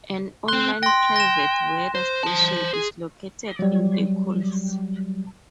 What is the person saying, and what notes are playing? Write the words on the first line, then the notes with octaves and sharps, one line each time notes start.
An online private weather station is located in Nicholls.
C4 C6 F#6
G5 C6 A#6
A#6 E7
C5
C5 A5
G#4
F#3 G3